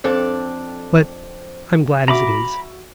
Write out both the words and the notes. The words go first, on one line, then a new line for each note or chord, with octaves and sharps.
But I am glad as it is!
F2 C4 D4 A4
F#4 E5 A#5 B5 D6